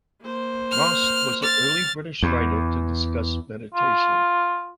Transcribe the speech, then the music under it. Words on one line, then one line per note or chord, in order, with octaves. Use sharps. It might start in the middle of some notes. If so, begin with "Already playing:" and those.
Rost was an early British writer to discuss meditation.
A#3 C5
F6
F6 A6
E2
F4